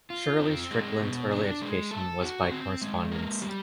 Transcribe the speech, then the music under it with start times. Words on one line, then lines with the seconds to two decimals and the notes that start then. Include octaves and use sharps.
Shirley Strickland's early education was by correspondence.
0.10 F4
0.40 C4
0.71 G#3
1.01 B2
1.31 D4
1.62 G#3
1.91 A4
2.21 F#4
2.51 C4
2.82 G#3
3.12 A#3
3.42 G3